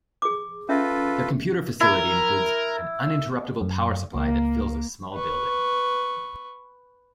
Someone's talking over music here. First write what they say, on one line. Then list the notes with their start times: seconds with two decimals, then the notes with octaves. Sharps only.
Their computer facility includes an uninterruptible power supply that fills a small building.
0.22 G#4 D6
0.69 C#4 F4 A4 B4 E5
1.81 E4 A#4
3.61 F#2
4.15 C#2 A#3
5.15 B4 C#6